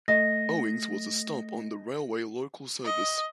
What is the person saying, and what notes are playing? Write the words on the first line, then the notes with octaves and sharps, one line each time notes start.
Owings was a stop on the railway local service.
A3 D#5 A#6
D#5